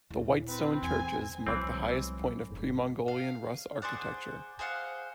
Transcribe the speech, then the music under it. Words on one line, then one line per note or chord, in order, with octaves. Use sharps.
The white-stone churches mark the highest point of pre-Mongolian Rus' architecture.
D#1 E4
C4 B4
E2 G#5
C2 E3 F#3 G#3 C4
F#1 G#2
F5
G#4 C5 D5 F#5
G#4 C5 F5 F#5